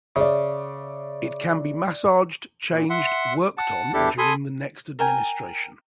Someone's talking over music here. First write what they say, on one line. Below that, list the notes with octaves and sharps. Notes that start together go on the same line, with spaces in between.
It can be massaged, changed, worked on during the next administration.
C#3 D5 E5
A#2
E5 F#5 C6
F#5 A5
E2 D4 E4 G4 A4
A4 G#5 B5 C6 D#6
A#4 G5 G#5